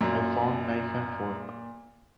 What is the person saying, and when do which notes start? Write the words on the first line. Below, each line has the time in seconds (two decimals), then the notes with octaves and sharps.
I found knife and fork.
0.01 F#2 A#2